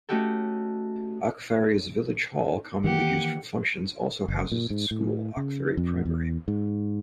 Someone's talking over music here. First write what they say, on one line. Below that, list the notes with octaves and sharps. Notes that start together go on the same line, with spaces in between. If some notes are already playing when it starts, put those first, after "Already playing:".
Achfary's village hall, commonly used for functions, also houses its school, Achfary Primary.
A3 C#4 D#4 F#4 G4 A4
D#3 E3 A#3 G4 F#5
F#1
A#2
G#2
A2
C#3
F2
E2
G#2